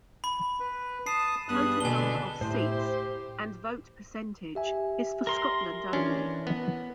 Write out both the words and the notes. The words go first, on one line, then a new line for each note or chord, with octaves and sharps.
Total number of seats, and vote percentage, is for Scotland only.
B5
B4
A5 D#6 C7
G2 B3 G#4 D#6 F#6
B2 D3 B3 D4 G#5 G7
A2 E4 G4 C5
G4 E5 G#5
A#4 C6
E3 C#4 D4
B3